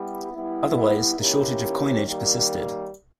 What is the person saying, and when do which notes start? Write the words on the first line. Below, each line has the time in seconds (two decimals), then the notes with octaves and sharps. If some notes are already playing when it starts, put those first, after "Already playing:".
Otherwise, the shortage of coinage persisted.
Already playing: G3 B3 E4 G4
0.33 G3 B3 E4
1.18 D#3 A#3 C#4 E4 G4
2.04 D#3 G3 A#3